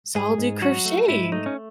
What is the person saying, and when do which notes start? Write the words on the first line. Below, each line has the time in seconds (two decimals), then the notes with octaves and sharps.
so I'll do crocheting."
0.15 G#2 G#4
0.38 G#2
0.62 F#3 F#4
0.85 A3
1.08 G#2 E4
1.32 A3 D#4
1.46 C#4